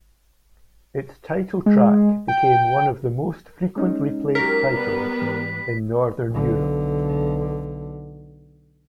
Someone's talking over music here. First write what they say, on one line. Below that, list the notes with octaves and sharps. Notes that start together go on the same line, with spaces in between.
Its title track became one of the most frequently played titles in Northern Europe.
G#3
G5
G#3 C#4 D#4
F#3 G4 A#4 B6
G3 B3 B4
G#2 E3
B1 D3